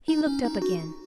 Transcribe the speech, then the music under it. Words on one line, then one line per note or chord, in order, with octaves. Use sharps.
He looked up again.
D#4
C#4
D#4
F#4